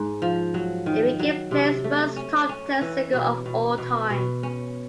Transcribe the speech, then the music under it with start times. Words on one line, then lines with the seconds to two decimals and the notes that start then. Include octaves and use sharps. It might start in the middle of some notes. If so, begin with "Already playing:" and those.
It became Play's first top ten single of all time.
Already playing: G#2
0.22 F3
0.54 F#3
0.86 D#3
1.19 F#3
1.51 C3
1.84 A3
2.16 C#4
2.49 C#4
2.81 E3
3.13 B2
3.46 B2
3.78 B2
4.10 B2
4.43 C#4